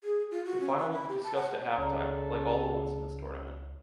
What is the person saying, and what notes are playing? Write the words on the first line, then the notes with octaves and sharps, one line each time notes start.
The final will be discussed at halftime, like all the ones in this tournament.
G#4
F4
F#4
C#4
B4
B5
G4
A5
F#5
C#2 C#3 A4 C#5 D5 A#5